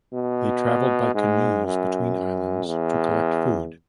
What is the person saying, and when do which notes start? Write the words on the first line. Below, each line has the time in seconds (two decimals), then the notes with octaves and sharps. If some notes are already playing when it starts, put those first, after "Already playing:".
They traveled by canoes between islands to collect food.
0.14 B2
1.15 G#2
1.65 F#2
2.67 E2